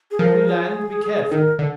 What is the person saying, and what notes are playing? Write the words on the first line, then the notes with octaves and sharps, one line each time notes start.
When we land, be careful.
G#4
F3 A#4
G#4
D#3 A#4
D3